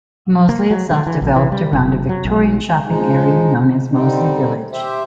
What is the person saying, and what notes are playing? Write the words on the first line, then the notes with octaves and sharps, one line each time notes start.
Moseley itself developed around a Victorian shopping area known as "Moseley Village".
A#3
F#3
D3
E3
A#1
E3
G3
F#1
F#3
B1
F3 G#3 D#4
D3 G3 C4 D#4
G4 C5 E5